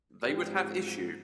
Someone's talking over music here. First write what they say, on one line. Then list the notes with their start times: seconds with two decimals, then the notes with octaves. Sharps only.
They would have Issue.
0.23 G#2 F3 C4 G4